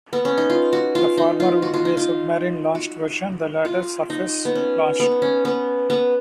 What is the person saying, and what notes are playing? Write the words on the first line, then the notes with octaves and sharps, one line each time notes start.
The former would be a submarine-launched version, the latter surface-launched.
B3
C#4
D#4
F4
F#4
F4
D#4
F4
F#4
F4
D#4
F4
F#4
F4
D#4
B3
C#4
B3
C#4
B3
B3